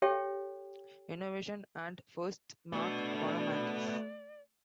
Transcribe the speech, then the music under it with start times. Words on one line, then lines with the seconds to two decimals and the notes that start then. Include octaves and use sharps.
Innovation and "firsts" marked Wanamaker's.
0.02 G4 A4 C#5 F5 G5
2.73 A3 B3 D4 F#4 D5